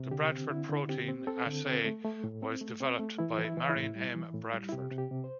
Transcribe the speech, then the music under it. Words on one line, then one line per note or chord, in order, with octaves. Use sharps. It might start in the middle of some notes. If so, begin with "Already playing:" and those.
The Bradford protein assay was developed by Marion M. Bradford.
Already playing: C3
D3 G4
C4
D3 E4
D3
C4 G4
C4
C4 A4
D3
C4
A3
A3
A2
C4
A3
C4
A3
E3 E4
E3
E4
E3
E4
A2
G3
E3
A2
G3
E4
C3 G4
C3
G4
C3
C5